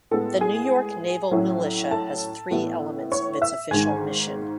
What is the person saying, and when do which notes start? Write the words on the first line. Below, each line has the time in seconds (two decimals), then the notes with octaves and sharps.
The New York Naval Militia has three elements of its official mission.
0.11 A2 G#3 B3 A4 A5
0.41 G#4 G#5
1.31 A2 F#3 C#4 E4
1.91 A4 A5
2.51 A2 E3 B3 E4
3.12 C#5 C#6
3.42 E5 E6
3.71 G#1 G#2 D#3 G#5 G#6